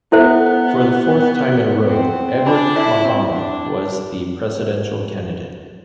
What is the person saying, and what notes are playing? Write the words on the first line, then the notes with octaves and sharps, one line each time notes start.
For the fourth time in a row, Edward Mahama was the presidential candidate.
B3 E4 A4 C5 E5
C4
D4 F4 A4 D5 G#5 B5
E4
C4
D4